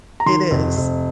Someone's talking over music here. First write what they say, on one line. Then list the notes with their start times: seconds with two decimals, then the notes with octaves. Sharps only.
It is.
0.20 A#5
0.26 D#3 C6
0.51 F1
0.77 F1